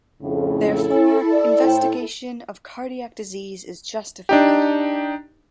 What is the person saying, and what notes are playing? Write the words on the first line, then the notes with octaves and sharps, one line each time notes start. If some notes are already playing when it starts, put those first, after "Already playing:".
Therefore, investigation of cardiac disease is justified.
F2 A2 C#3
E4 A4
D5
A2 C5 G5
D4 D#4 G4